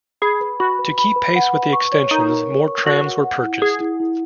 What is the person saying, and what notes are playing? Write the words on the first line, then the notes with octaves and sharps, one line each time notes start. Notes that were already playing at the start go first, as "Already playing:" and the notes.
To keep pace with the extensions more trams were purchased.
G#4 B5
B4
F#4 B5
B4
B5
B4
F#5
B4
C#6
C#5
D#4 A#4
A#4
C#5
C#6
F#4 A#4
F#5
F#5
E4
E4 G#4
E4
E4